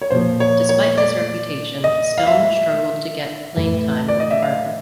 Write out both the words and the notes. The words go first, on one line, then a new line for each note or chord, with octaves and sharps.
Despite his reputation, Stone struggled to get playing time with the Burn.
C#5
A#2 F3 C5
C#5
C#5
D5
D#5
F5
E5
A2 E3
D5
D#5
E5
F5